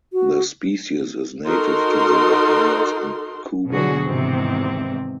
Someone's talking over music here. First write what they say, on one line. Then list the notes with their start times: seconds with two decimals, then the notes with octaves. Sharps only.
The species is native to the Bahamas and Cuba.
0.13 F#4
1.46 D#4 F#4 A4 A#4 C6
3.69 B2 D3 F3 F#3 F#4 G#4
4.06 E2 G#2 C3 D#3 C4